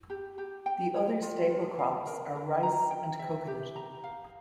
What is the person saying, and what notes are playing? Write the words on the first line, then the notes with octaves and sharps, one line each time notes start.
The other staple crops are rice and coconut.
G4
G4
G5
C#5
F4
F4
F5
A#4
A#4
A#5
G5
E5
G4
A#5
F5